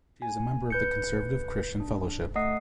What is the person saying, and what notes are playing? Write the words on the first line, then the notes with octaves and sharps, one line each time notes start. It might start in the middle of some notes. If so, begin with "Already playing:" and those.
She is a member of the Conservative Christian Fellowship.
G#5
B4 G6 C#7
D4
A3 D#5 F#5 D#6 C7